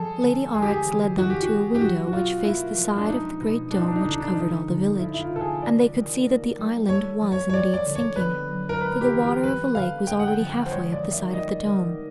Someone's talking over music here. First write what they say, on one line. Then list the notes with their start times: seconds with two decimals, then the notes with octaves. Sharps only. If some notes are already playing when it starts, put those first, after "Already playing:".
Lady Aurex led them to a window which faced the side of the great dome which covered all the village, and they could see that the island was indeed sinking, for the water of the lake was already half way up the side of the dome.
Already playing: F3 G3 G#4 A4
0.22 D3
0.54 G#3 G#4
0.62 G4
0.71 G#4
0.85 E3
1.18 C#4 F#4
1.30 G4
1.43 F#4
1.50 G#3
1.75 G4
1.81 F#3 F#4
2.08 F#4
2.13 B2 F4
2.45 A#3 E4
2.77 F3
2.97 D4
3.08 G#3 D#4
3.40 B2
3.71 G3 D4
3.80 D#4
3.88 D4
3.96 D#4
4.04 D3 D4
4.11 D#4
4.20 D4
4.35 F3 D#4
4.68 D3
4.99 F3 E4
5.14 E4
5.21 F4
5.31 C3 A4
5.41 G#4
5.62 G#3 D5
5.94 D#3
6.27 A#3
6.58 G3
6.89 A3 C#5
7.21 F3
7.32 C#5
7.50 C#5
7.53 G3 D5
7.74 D5
7.85 D3
7.95 C#5
8.16 B3 B4
8.48 F#3
8.69 A#4
8.81 G#3 B4
9.01 G4
9.12 E3
9.22 G4
9.44 G3 B4
9.75 D3 F5
10.07 G#3 G5
10.19 F#5
10.28 G5
10.39 F3
10.50 G5
10.66 C5
10.71 G#3 C#5
10.92 D5
11.03 D#3
11.12 E5
11.33 G3 D#5
11.66 D#3